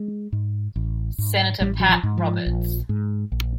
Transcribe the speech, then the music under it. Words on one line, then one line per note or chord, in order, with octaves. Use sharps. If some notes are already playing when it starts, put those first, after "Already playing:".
Senator Pat Roberts.
Already playing: G#3
G#2
A1
G#2
A1 G3
F#3
F3
G#2
F3
A#1
G#2
A#1